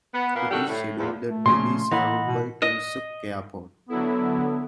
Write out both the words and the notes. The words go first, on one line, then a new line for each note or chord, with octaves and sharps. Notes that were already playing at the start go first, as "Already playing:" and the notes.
It is scheduled to be served by Tumxuk Airport.
B3
A#2 A#3 B3
D#3 G3 D4 F#4 A4
A2
E2 F3
A3
A#2 C#3 F3 C6
E3 A#3 D#5 F#5 B5
B2
D#5
D3 F#3 B3 E4 A4